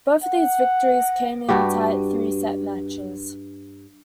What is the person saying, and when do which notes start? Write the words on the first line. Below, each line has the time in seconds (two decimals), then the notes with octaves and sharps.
Both of these victories came in tight three-set matches.
0.24 F#5
1.49 G2 F#4 G4